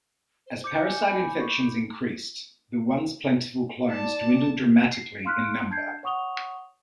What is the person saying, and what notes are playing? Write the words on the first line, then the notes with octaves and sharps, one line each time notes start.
As parasite infections increased, the once plentiful clones dwindled dramatically in number.
C5
D6 G6 C#7
G#5
B5
C#6
D#4 D5 A5
C7
F5 C6 F6 F#6 B6
D4 A5 G6 G#6 C7
C#5 F#5 C#6 D#6 F7 G7